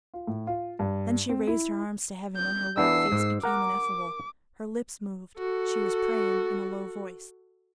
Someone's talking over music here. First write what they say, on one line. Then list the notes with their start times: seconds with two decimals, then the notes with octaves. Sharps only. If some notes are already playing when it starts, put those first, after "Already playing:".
Then she raised her arms to heaven, and her white face became ineffable; her lips moved; she was praying in a low voice.
0.14 F4
0.27 A2
0.47 F4
0.79 G2
1.29 C4
1.47 E4
2.36 G6
2.77 E3 B3 D4 E6 C7
3.12 G#2
3.43 A#4 F#5 D6
5.38 F#4 A4